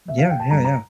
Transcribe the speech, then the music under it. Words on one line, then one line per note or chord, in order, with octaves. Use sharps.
Yeah, yeah, yeah,
E5
F5
G5
A5
G2 D3 A#5
A#5